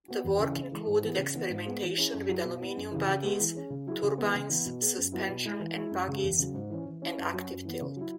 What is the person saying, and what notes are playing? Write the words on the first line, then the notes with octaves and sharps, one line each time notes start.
The work included experimentation with aluminium bodies, turbines, suspension and bogies, and active tilt.
B3 F#4
E2
C#3 E3 C#4
C#3
E3 G#3
G#2
E3 B3 G#4
C#3
E3 B3 E4
G#2
G#3 B3 G#4
E3
C#4 E4 G#4
F#2
F#3 E4 G#4
B2
B3 E4
F#2
C#3 E3
C#3
G#3 B3 G#4
E3
C#4 G#4
C#3
F#3 E4 G#4
C#3
E3 G#3 B3
C#3
E3 B3 E4
B2
B3 G#4
F#2
F#3 B3 E4
B2
G#3 E4
E3
G#3 E4 G#4
F#2
C#3 G#3
E2
C#3 F#3
G#2
E3 C#4
E3
C#4 E4
F#2
F#3 C#4 F#4
F#2
E3 B3
C#3
F#3 E4